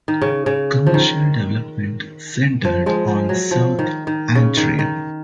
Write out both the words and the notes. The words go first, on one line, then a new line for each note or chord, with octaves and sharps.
Commercial development centered on South Antrim.
D#3
C#3
C#3
F3
D#3
F3
F3 G#3
F3
F#3
F3
D#3
D#3
C#3
D#3
D#3